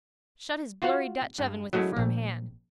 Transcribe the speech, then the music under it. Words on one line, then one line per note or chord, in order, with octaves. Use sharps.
Shut his blurry Dutch oven with a firm hand.
F4 F#4 C5 F5 F#5
G2
F#3 G#3 A3 C#4 E4
A#1